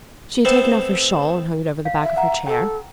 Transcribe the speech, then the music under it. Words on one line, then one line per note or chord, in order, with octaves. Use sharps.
She had taken off her shawl, and hung it over the back of her chair.
A3 B3 C4 A4 C5
F5
E5
F#5 A#5
A4 G5